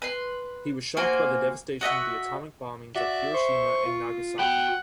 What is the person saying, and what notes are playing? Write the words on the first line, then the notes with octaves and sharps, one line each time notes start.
He was shocked by the devastation of the atomic bombings of Hiroshima and Nagasaki.
B4 C6
A#3 F#4 C5 G#5
F#4 D#5 E5 F#5
F#4 D5 E5
C5 C#6
F4
F#4 F#5 G5 B5